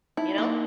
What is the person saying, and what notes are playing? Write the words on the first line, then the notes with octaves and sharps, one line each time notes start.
You know?
D#4 E4
A#3